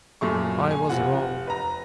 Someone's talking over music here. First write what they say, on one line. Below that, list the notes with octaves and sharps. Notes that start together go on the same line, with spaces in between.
I was wrong.
F#2 A#2 A3 G#4 C#6
G#5
F1 F4 F#5
B4 A#5